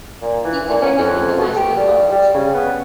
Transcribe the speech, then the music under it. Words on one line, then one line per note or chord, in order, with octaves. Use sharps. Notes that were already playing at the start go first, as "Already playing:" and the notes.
He attended International College.
A#2
E3
A#2
C#4
F2
B2
G4
G3
G3
C#3
B3